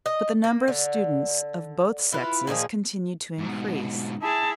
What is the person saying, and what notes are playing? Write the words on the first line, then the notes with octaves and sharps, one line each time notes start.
But the number of students, of both sexes, continued to increase.
D#5
A#3
D3
E4 F4 B4
A#2 D#3 F3 G#4
G#2 B2
E4 G#4 A5